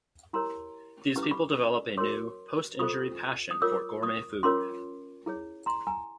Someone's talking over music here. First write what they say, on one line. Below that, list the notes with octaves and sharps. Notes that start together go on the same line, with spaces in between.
These people develop a new, post-injury passion for gourmet food.
E4 G4 A#4 C#5 A#5 C6
C#4 E4 G4 B4 C#6
D6
B5 C#6
F#4 A#4 C#5 C6 D6
F4 A4 C5 C#6 D#6
D#6
F4 A#4 C#5 D6 E6
C#6 D#6
C#4 F4 A#4 C#5 C6 D6
E4 G#4 C#5
A#5 C6
G#5 A#5